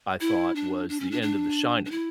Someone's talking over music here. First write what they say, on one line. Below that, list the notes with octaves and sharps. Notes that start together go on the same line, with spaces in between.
I thought, was the end of The Shining.
E4
D4
D4
C#4
D4
D4
D4
E4